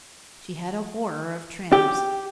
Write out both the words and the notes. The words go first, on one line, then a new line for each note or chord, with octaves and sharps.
She had a horror of tramps.
G4